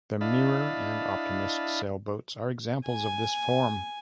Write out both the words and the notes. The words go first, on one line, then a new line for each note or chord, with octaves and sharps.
The Mirror and Optimist sailboats are examples of this form.
D4 E4 D#5 F5 A5 B5
G#5